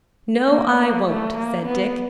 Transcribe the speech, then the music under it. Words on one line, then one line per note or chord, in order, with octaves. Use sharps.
"No, I won't," said Dick.
A#3
A#3
A3
A#3
B3